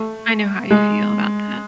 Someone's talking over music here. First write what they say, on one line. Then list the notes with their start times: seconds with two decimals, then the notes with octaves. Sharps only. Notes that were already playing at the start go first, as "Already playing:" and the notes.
I know how you feel about that.
Already playing: A3
0.71 G#3